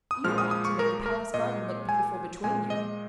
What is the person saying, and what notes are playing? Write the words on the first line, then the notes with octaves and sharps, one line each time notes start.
"You ought to make the Palace garden look beautiful between you."
D#6
A#2 F3 G#3 F6
D#6
D#6
C#6
A#4
A#4
A#2 G#3 D#5
G#5
A#2 G#3 G#5
D#5